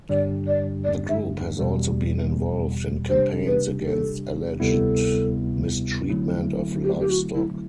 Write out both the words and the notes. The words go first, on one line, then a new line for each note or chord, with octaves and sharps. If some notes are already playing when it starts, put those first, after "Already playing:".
The group has also been involved in campaigns against alleged mistreatment of livestock.
G2 D3 G3 D4 G4 D5
D5
D5
E5
E2 B2 G3
C3 G3 D4 G4 C5
B4
A4
D2 C3 G3 B3 E4 A4
D3 F#3 A3 C4 E4
G4
G4
F#4
E4